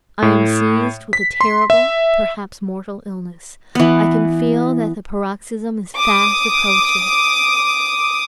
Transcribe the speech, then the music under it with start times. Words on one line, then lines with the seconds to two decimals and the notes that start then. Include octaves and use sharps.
I am seized with a terrible, perhaps mortal illness; I can feel that the paroxysm is fast approaching.
0.22 A2
1.13 B6
1.41 C6
1.70 E5
3.75 E3 B3
5.97 D6 D#6